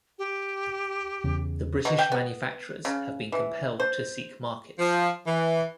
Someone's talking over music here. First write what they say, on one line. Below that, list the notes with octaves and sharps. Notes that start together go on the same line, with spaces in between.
The British manufacturers have been compelled to seek markets.
G4
E2 C#3
B2
G5
B3
C#3
E3
C5
F3
E3